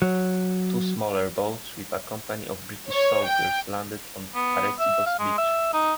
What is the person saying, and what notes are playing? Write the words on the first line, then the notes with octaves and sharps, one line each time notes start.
Two smaller boats with a company of British soldiers landed on Arecibo's beach.
F#3
C#5
G5
B3
E5
F5
G#3
E5
D#4